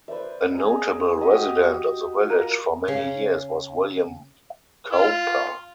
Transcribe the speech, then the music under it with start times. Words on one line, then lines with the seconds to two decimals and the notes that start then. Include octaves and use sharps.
A notable resident of the village for many years was William Cowper.
0.08 B4 C5 D5 E5
0.54 G#4 A#5
1.21 F#4 G4 D#5
2.26 F4 A#4
2.88 C#3
4.93 F4